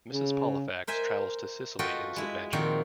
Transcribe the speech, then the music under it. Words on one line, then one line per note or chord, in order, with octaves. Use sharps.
Mrs. Pollifax travels to Sicily in this adventure.
C#3
A#4 C5 E5 G#5
F4 F#4 A4 B4 D#5 G5
G#3 E4
A#2 D#3 F3 C4 F#4